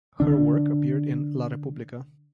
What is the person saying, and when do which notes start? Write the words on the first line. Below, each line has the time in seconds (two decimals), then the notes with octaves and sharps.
Her work appeared in "la Repubblica".
0.20 D3 D4